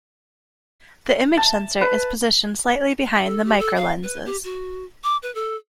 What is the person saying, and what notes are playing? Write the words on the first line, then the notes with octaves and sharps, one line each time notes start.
The image sensor is positioned slightly behind the microlenses.
A5
B4
A4
G4
A4
F5
B4
G4
F#4
D6
B4
A4